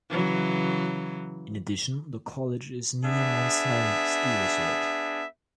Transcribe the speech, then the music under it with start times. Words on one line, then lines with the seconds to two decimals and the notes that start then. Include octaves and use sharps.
In addition, the College is near Mount Snow ski resort.
0.10 C#3 E3 F#3
3.04 B3 D4 G#4 E5